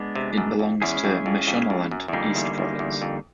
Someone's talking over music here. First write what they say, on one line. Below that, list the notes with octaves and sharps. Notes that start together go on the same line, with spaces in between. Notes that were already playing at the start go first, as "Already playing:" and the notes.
It belongs to Mashonaland East province.
Already playing: G#3 B3 D4
C3
F#2
F2
E2 G#3 C#4 E4 G#4
F2
F2
F2
F2
F#2
E2
F2 D3 G3 A#3 D#4 G#4
E2
E2
E2
F2